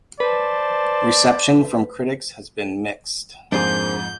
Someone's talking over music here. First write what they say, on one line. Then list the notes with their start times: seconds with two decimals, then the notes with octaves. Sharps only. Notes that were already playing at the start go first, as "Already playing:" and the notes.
Reception from critics has been mixed.
0.20 B4 C5 D5 A5
3.52 F2 G#2 A#3 D4 G#4 C5 G6